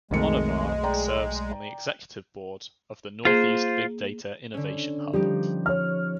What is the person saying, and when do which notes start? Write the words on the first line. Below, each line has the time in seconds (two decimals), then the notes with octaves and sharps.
Honavar serves on the Executive Board of the Northeast Big Data Innovation Hub.
0.11 B1 F2 D#3 G#3 A3 C#7
0.83 D5 G5 A#5
3.25 A#3 F4 G#4 C5
4.54 D3 C#4
5.13 F3 G3 D#4 G4
5.66 C#5 F6